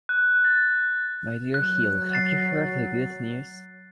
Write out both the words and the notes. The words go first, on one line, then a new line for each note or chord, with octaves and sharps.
My dear Hill, have you heard the good news?
F#6
A6
F#3 F#6
A6 C7